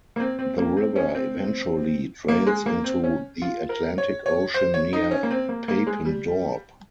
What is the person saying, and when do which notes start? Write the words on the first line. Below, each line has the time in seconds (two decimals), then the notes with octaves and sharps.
The river eventually drains into the Atlantic Ocean near Papendorp.
0.16 A#3
0.20 C4
0.39 C4
0.58 A#3
0.77 C4
0.96 C#4
1.15 C4
2.28 A#3
2.47 G#3
2.66 A#3
2.84 C4
3.04 C#4
3.42 F4
3.69 A#4
3.98 C#5
4.26 C#5
4.54 C5
4.74 C#5
4.93 D#4
5.11 C#4
5.23 A#3
5.31 C4
5.49 A#3
5.68 A#3
5.87 G#3
6.05 G3